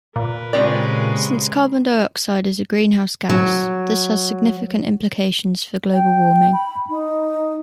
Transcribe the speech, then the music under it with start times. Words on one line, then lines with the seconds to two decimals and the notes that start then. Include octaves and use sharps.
Since carbon dioxide is a greenhouse gas, this has significant implications for global warming.
0.16 A#2 A#4 B4
0.53 C#3 G#3 C4 G4 G#4 D5
3.30 F#3
5.93 G5
6.53 B5
6.89 D#4